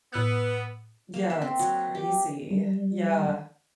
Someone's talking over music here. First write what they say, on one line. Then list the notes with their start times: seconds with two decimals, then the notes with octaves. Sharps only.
Yeah, it's crazy. Yeah,
0.13 A2 B3 E6 F#6
1.14 A#3
1.30 E5
1.42 C4
1.59 F#3
1.95 G4
2.51 G3